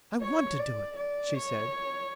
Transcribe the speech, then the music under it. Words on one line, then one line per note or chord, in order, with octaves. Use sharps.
"I want to do it," she said.
C#5
D5
D5
C#5